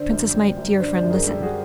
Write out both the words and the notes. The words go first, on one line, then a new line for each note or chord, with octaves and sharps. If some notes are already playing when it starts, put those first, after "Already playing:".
Princess, my dear friend, listen!
Already playing: D3 C5 D5
F#2
G3
F#2
D3 C5 D5
C5 D5
F#2
G#4 A#4
G3 G4 A4
F#4 G#4